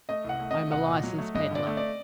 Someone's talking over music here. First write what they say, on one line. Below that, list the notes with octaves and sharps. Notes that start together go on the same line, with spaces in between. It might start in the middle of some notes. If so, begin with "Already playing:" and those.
I am a licensed peddler.
A3 D#5
C2 F#5
A3
A3 D#5
C2 F#5
A#2
F#3
A3
G2 D#5
D3 D5
A3
D5